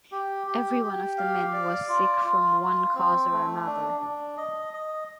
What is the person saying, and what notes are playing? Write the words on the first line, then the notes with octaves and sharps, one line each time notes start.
Every one of the men was sick from one cause or another.
G4
G4
G4
F5
D5
F4
F4
F4
C4
A3
D4
D4
D#5
D#5